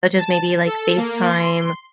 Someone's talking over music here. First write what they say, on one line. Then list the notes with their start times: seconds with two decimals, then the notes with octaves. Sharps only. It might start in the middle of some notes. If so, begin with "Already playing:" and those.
such as maybe, like, FaceTime
0.18 A5
0.66 A4
0.97 A#3
1.29 C6